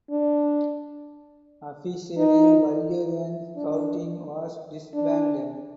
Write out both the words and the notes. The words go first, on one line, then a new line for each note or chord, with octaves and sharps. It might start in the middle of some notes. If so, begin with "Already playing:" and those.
Officially Bulgarian Scouting was disbanded.
D4
D#4
D4
D4